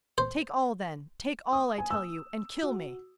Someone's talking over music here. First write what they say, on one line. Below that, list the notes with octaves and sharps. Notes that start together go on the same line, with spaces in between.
"Take all, then--take all, I tell you, and kill me!"
C5
D#6
G#5
E6
F#4